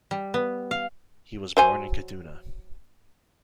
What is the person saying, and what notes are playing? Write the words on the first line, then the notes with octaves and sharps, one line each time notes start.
He was born in Kaduna.
G3
B3
F5
F#3 C5 G#5